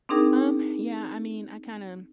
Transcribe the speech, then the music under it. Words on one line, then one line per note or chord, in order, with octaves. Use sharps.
Um, yeah, I mean, I kinda
C4 D4 D#4 G#4 A#4 G5